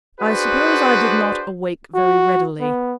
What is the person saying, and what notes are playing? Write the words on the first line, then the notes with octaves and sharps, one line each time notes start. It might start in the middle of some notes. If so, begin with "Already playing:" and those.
I suppose I did not awake very readily.
D4 F#4 G#4 B4 C5 D5
F#4
B3